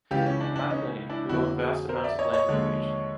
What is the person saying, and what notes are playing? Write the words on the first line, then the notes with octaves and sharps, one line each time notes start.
Macclenny, who owned vast amounts of land in the region.
C#2 C#3 E3 F4 G4
C#4
D4
D4
C#4 D#4
D4 E4
F2 D3 F#3 A#3 E4 F#4
F#4 G#4
A#4 C5
D5 E5
C#5 D#5
C#5 D#5
D#2 D3 F3 G#3